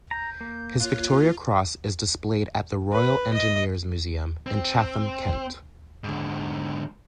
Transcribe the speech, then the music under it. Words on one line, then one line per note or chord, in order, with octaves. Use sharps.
His Victoria Cross is displayed at the Royal Engineers Museum in Chatham, Kent.
A#5 G6
A#3
F4 C#5 F#6
B4
D#5
C4
G#2 D3